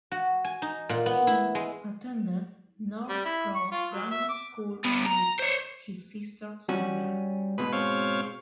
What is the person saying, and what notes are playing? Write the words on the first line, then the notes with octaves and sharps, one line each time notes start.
He attended Norcross Grammar School with his sister, Sandra.
F#4
G#5
D#4
A#2
B3
E4
G#3
G3
E4
C#6
F4
F#3
E5
D6
G3 B3
A#5
C5 C#5
G3 C#4 F#4
G#2 B2 G#3 B4
C4 C#5 F5